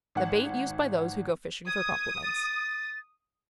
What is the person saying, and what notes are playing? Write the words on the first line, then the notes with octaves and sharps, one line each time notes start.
The bait used by those who go fishing for compliments.
G#1 F#5
D#6 G#6
A6